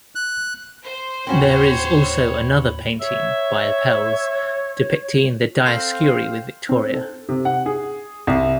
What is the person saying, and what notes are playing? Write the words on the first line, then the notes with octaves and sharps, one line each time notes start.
There is also another painting by Apelles, depicting the Dioscuri with Victoria.
F#6
C5
D#2 A2 C4 C#4 F#4 C#5 B5
C#5 E5
C4 A4 F5 C6 G6 C7
C4
A4
C3
F#5
G#4
C2